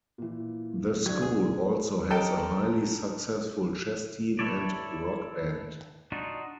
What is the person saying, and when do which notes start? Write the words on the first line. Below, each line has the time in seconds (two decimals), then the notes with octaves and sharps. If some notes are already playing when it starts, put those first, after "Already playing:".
The school also has a highly successful chess team and rock band.
0.18 A#2 E3
1.06 D2 F#3 D5 G#6
1.22 G#4
2.10 G4 A4 A#4 D#5 G5 A5
4.39 E4 A4 C#5 D5
6.12 D4 D#4 F4 F#4